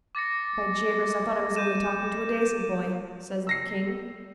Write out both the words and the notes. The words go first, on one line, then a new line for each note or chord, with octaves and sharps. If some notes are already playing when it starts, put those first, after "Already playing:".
"By Jabers, I thought I was only talking to a dacent boy," says the king.
D6 A6 A#6 C#7
G6 D#7 E7
E6 A#6 C7